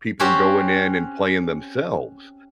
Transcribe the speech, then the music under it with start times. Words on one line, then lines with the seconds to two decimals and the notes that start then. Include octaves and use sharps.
people going in and playing themselves,
0.20 C4 C#4 F#4 G4 C5